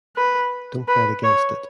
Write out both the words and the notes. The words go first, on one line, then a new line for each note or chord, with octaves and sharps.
Don't bet against it.
B4
B4
C#5